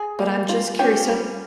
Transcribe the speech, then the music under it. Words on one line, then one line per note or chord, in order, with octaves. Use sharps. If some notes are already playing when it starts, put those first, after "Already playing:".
but I'm just curious. So,
Already playing: G#4 G#5
A#3
F4
C#4 G4 G5
G3